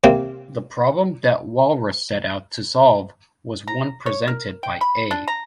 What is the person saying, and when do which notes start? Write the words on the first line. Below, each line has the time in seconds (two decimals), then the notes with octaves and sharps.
The problem that Walras set out to solve was one presented by A.
0.04 C3 A#3 C4
3.67 A#5
4.06 C#5
4.28 A#4
4.63 G5
4.81 B5
5.11 D4
5.28 A#5